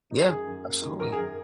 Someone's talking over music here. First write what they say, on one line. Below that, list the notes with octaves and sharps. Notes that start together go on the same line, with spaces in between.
Yeah, absolutely.
D#4
F#2 G#4
F#2
A#3
D#3
F#2 A#4
G#4
F#2 A#4